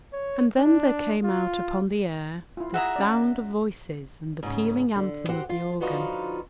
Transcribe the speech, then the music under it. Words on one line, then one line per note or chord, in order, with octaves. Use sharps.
And then there came out upon the air the sound of voices and the pealing anthem of the organ.
C#5
D4
F4
E4 F4
F#4 G#4 E5 A#5
C#4 D5
G#2 C#3
D3
F#4 G4 C5 F#5
F4
D3 F3 D#4 F4 F#4 B4